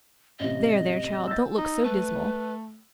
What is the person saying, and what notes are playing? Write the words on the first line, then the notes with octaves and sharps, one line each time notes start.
There, there, child, don't look so dismal.
A1 C3 D#5
E6 G6 A6
D#4
A3 B4